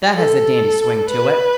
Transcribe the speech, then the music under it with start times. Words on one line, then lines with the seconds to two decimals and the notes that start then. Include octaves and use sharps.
"That has a dandy swing to it."
0.15 A4
1.09 B4